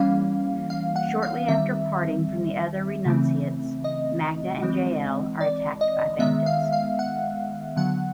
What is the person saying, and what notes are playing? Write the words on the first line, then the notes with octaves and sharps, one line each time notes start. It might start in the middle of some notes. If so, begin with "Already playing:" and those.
Shortly after parting from the other Renunciates, Magda and Jaelle are attacked by bandits.
Already playing: E3 G3 A#3 C#4 F5
F5
F#5
F5
D#3 G3 C4 E5
C#3 E3 A3 C4
D#5
E3 G#3 C4
D5
D#5
D#3 G#3 B3 E5
F5
F5
F#5
D3 F#3 B3 F#5